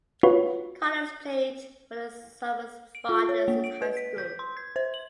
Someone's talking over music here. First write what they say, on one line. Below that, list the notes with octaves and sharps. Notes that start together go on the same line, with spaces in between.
Connors played for the Somers Spartans in high school.
F4 F#4 B4 C#5
D7
F4
C#5
A#3
D7
B4
B6
G6
C6
G#6
C5
F#7